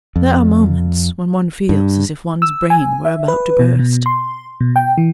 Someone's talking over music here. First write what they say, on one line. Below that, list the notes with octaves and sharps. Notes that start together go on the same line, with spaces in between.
There are moments when one feels as if one's brain were about to burst.
F2
G2
E6
G#5
E5
B4
B2
B2
C6
B2
G5
E3